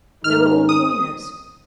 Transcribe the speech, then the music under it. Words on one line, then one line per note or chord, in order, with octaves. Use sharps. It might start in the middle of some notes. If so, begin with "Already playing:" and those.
They were all coiners.
G#2 D#3 G#3 D#4 F6
D#6